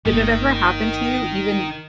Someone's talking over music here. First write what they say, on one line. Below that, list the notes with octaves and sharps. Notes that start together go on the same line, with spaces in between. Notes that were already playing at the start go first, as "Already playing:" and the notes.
did it ever happen to you, even
G1 D#3 A#3